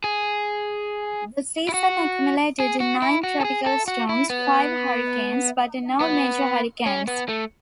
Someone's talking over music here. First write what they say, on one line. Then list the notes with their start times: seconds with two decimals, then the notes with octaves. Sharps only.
The season accumulated nine tropical storms, five hurricanes, but no major hurricanes.
0.04 G#4
1.69 E4
1.74 F#4
2.60 G#4
2.80 F#4
3.02 E4
3.23 F#4
3.41 A4
3.45 G#4
3.66 A4
3.88 F#4
4.09 E4
4.30 B3
6.01 B3
6.86 C#4
7.08 B3
7.29 A3